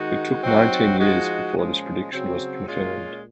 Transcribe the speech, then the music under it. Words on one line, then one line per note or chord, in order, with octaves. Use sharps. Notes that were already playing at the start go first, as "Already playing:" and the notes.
It took nineteen years before this prediction was confirmed.
Already playing: D#3 G#3 D#4 F#4
F#3 C4 D#4 F#4
F3 G#3 D#4 F#4
A#2 F3 G#3 C#4
C#3 F#3 C4 F#4
A#2 G#3 C#4 F4